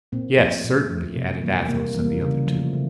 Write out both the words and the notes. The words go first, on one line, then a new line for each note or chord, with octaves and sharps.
"Yes, certainly," added Athos and the other two.
A#2 A#3 C4
F3 A3
A#2
F3 A3
C3
E3 G3 A#3
C3 A#3
E3 G3 A#3
C#3
F3 A3
C#3